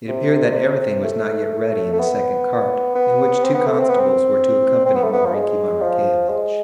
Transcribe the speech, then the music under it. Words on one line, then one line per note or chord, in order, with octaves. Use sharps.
It appeared that everything was not yet ready in the second cart, in which two constables were to accompany Mavriky Mavrikyevitch.
C3
A3
A3
B3
B3
C4
B3
A3
C4
B3
C4
C4
B3
A3
B3
F3
G#3
F3
G#3